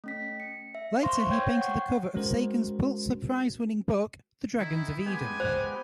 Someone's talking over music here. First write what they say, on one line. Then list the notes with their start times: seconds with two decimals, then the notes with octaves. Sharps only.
Later he painted the cover of Sagan's Pulitzer Prize-winning book "The Dragons of Eden".
0.04 A3 C#4 B6
0.40 C#7
0.75 E5
1.02 C5 F5 C6 C#6 A#6
1.29 C#5 G5 G6 G#6
1.57 F#5 C#6
2.15 G#3 C#4 F#4 A#4 C5
4.59 D#3 E4
5.06 G#3 B3 G4 G#5
5.40 C5